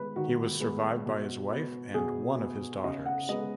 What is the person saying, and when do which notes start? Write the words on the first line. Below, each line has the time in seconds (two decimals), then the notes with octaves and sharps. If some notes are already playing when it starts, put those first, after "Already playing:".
He was survived by his wife and one of his daughters.
Already playing: D#3 G#3 B3 B4
0.16 D#3 F#4
0.60 G#3 B3
1.06 B2
1.50 B3
1.94 B2 G#4
2.40 B3
2.84 C#3 D#5
3.06 F#5
3.29 G#3 B3 D#5